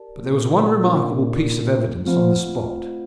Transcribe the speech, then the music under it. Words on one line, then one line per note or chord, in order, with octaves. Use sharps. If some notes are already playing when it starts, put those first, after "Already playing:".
But, there was one remarkable piece of evidence on the spot.
Already playing: G4 A#4 D5 A5
A#2
A#3 D4 F4
F3 A3 C4 F4